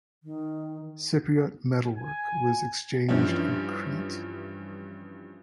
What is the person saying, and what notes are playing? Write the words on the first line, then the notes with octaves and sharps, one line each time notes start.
Cypriot metalwork was exchanged in Crete.
D#3
G#5
G2 E3 F3 C#4